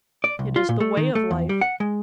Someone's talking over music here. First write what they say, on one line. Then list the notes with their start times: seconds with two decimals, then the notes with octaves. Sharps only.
It is the way of life.
0.24 D5
0.39 C2
0.56 F4
0.69 A#2
0.80 A3
0.97 D#3
1.15 A3
1.31 E2
1.49 G3
1.61 F#5
1.80 G#3